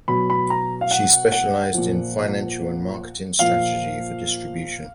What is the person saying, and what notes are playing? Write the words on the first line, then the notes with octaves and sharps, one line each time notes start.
She specialised in financial and marketing strategy for distribution.
B2 F#3 B5
B5
A#5
F5
F#5
F#5
A#2 F3
A#2 F3 F5